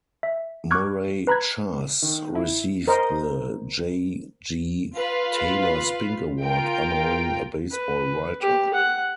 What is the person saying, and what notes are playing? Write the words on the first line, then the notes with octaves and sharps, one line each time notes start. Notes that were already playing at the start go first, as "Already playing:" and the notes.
Murray Chass received the J. G. Taylor Spink Award honoring a baseball writer.
E5
C#6 D6 F6 F#6 G#6
B4 A#5 B5 F#6 G#6
D#3
E4
A#4 C5 D#5
F4 B4 F5
F4 A#4 G5 D7
B4
G4
F#5